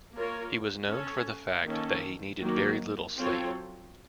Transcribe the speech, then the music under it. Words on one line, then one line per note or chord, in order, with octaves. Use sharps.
He was known for the fact that he needed very little sleep.
A#3 F4 A#4 C#5
C#4 A4 C#5
D#3 A#3 C#4 A4
D#3 F#3 A#3
F#3 C4 F4 A4 C#5